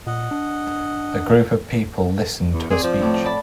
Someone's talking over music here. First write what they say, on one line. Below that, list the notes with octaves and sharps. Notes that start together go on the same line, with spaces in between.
A group of people listen to a speech.
A#2 D#5 F#5
D4
E2
C4 G#4 D5
F3
A2 A3 D6
D5 A5 B5